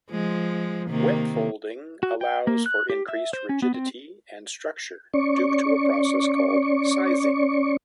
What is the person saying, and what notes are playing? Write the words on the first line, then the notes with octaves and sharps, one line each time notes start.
Wet-folding allows for increased rigidity and structure due to a process called "sizing".
F3 G#3
C3 D#3 A#3
F#4
G5
A#3
F#6
G4
E5
C5
C#4
B3
C4
C#4 D5 C#6